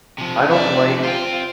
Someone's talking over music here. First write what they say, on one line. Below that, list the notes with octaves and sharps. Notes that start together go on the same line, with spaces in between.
I don't like
C3 F3
D5 E5
F4 C5 G5